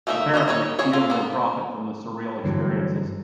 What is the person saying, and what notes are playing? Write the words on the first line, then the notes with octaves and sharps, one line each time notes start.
Apparently few of them profit from the surreal experiences.
A3 A#3 D#4 A4 E5
A#3 A#4 C#5 D#5 E5
G3 D#4 C#5
C4 G#4 C#5
F4 A4
A#3 B3
G2 D3 E3 F#3